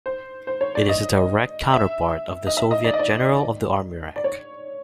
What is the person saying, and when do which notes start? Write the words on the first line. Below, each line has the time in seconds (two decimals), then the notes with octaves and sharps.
It is a direct counterpart of the Soviet "General of the army" rank.
0.06 C5
0.47 C5
0.61 C#5
0.75 D5
0.89 D#5
1.73 E5
2.47 D#5
2.57 E5
2.71 D#5
2.84 D5
2.94 D#5
2.99 D5
4.16 D5
4.24 C#5